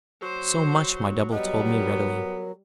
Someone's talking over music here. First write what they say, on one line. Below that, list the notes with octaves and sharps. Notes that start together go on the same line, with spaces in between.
So much my double told me readily.
F#3 C5
F#3 G3 B3 D#5
A#4